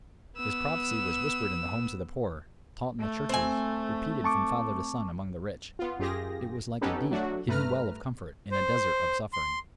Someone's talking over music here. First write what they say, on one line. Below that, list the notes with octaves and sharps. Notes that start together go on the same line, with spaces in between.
This prophecy was whispered in the homes of the poor, taught in the churches, repeated from father to son among the rich; it was like a deep, hidden well of comfort in a desert of suffering.
B3 E6
A3
C4 G#5
A5 C#6 D6
B3 F4
F#2 F4 G4 G#4 A#6
B3 C#4 D#4 G4 A4 B4
F#3 A3 D4 F#4
G2 A3 B4 A#5 F6
C5
C6